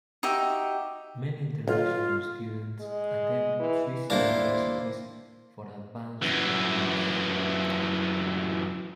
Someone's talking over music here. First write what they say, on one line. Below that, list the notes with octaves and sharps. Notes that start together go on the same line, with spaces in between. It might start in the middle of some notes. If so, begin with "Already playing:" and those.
Many international students attend Swiss universities for advanced degrees.
D#4 F#4 G4 E5
B1 F4
G#3
E3
D#2 A#3 D4 E4 C5 D6
F#2 E3